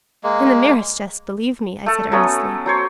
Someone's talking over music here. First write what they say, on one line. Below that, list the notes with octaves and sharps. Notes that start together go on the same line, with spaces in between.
"In the merest jest, believe me!" I said earnestly.
G#3 A#3
A3 A4
F#3 A3 B3 C#4
F#3 C5 C#5